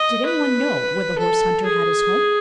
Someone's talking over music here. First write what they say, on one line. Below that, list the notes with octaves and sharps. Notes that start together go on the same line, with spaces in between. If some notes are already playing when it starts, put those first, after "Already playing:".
Did any one know where the horse-hunter had his home?
Already playing: D#5
B4
A4
G#4